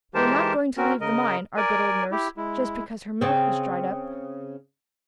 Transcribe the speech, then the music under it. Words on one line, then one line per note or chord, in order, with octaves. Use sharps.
We're not going to leave the mine, our good old nurse, just because her milk is dried up!
E3 G#3 G4 A#4 C5 A5
C4 C#4 F#4 A#4
C#3 A#4 D#5
A#4 D5 G#5
E4 G4
G#3 E4
C#3 C4